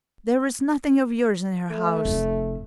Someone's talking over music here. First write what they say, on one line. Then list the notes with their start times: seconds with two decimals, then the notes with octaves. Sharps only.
There was nothing of yours in her house.
1.70 A3
2.05 F1